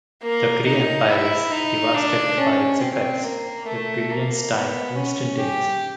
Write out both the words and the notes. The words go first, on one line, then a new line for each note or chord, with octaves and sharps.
The Kree Empire is devastated by its effects, with billions dying instantaneously.
A#3
D#4
E4
D#4
D4
C#4
C4
A#3
A3
A#3
B3
C#4
G4